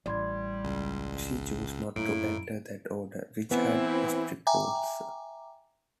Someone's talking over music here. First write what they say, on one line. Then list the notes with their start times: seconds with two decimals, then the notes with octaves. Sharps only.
She chose not to enter that order, which had strict rules.
0.06 A1 G3 D5 C6 G#6
0.64 C#2
1.96 F#2 A2 A#3 D#4 E4 D7
3.51 E3 B3 C4 E4
4.47 E5 G5 G#5 A#5 D6